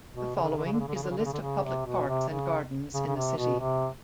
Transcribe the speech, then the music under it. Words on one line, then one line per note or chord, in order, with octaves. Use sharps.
The following is a list of public parks and gardens in the city.
B2
C#3
D3
C#3
D3
C#3
D3
C#3
D3
C#3
D3
C#3
D3
C#3
D3
C#3
C3
B2
C3
C#3
C#3
C#3
C3
B2
C3